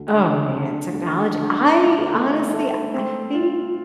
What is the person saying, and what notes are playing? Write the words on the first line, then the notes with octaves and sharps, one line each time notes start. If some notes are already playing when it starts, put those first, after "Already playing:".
Oh, man, technology I honestly I think
Already playing: D2
D3
D3
D2
D3
E4
A3
A3
C4
F4